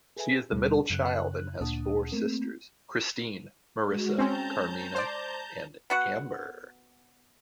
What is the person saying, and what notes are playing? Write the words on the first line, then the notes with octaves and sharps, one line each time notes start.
She is the middle child and has four sisters: Christine, Marissa, Carmina and Amber.
G#4 A4 B4 E5 G#5
D#2 B2 G3
F#2 C#3 F#6
D2 A#2 D4 F#5 A5 D#6
A3 A#3 C4 A#4
G#3 F#4
C4 C#4 A5 A#5 G6
C5 D5
B3 F#4 F#5